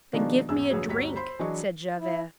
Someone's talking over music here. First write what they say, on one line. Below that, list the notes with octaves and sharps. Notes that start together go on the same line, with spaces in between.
"Then give me a drink," said Javert.
B2 D#3 F3 G#3 B3 D4
G#1 E2 G#4 G#5 E6
A#1 D3 F#3 G#4 B4 C#5
G1 D2 F#4 G4 C#5 B6
C5 B5 C6
E3 F#3 D4 G#4 D#5 C#6
E4